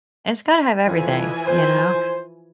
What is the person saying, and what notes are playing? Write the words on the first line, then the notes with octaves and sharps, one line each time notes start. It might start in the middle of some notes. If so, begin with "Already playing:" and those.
it's gotta have everything, you know,
F2 E3 F3 G#5
C5